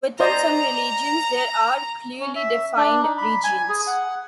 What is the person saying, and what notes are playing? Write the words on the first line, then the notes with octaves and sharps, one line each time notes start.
Within some religions there are clearly defined regions.
C5 D5 D#5 A#5
C#4
E5
D4
D#4
B5
G#5
G#4
F#5